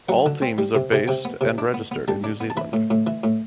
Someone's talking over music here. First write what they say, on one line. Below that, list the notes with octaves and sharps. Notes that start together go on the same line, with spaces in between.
All teams are based and registered in New Zealand.
F#3 F#5
D3
C4
G3
C3
C3
C3 G5
B3
C3
D4
B3
B3
G3 A5
D4
B3
A5
E3 B5
A2
A2
E3
A2